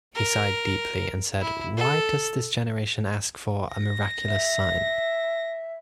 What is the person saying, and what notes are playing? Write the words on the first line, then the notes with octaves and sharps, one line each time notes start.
He sighed deeply and said, 'Why does this generation ask for a miraculous sign?
A#4
E4
A4
A#6
E5